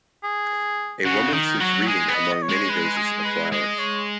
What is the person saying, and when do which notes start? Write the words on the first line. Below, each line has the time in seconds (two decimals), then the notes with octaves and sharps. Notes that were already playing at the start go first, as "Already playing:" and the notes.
A woman sits reading among many vases of flowers.
0.23 G#4
1.05 C#3 F#4
1.33 D#3 D#4
1.60 F#3 F#4
1.87 G#3 G#4
2.08 B3
2.15 D#5
2.42 C#5
2.49 G#3
2.70 B4
2.96 G#4
3.25 B4
3.51 G#3 D#5
3.79 C#5